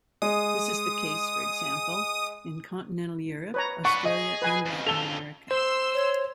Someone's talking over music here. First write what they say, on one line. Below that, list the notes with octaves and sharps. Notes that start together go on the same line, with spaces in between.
This is the case, for example, in continental Europe, Australia and Latin America.
G#3 D#6
B4 C#5 A#5
D4 B4 F#5 C#6
G#4 D#5
B4 G#5
F2 C#3
A4 F7 G7
C5 C6 E6
C#5